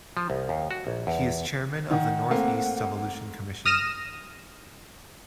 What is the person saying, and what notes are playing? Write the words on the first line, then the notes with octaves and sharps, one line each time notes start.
He is Chairman of the North East Devolution Commission.
F3
C2
D#2
F#4
A#1
E2
D#3 F#5
A3 A#3 C4
D#6 F6 A#6 D#7 E7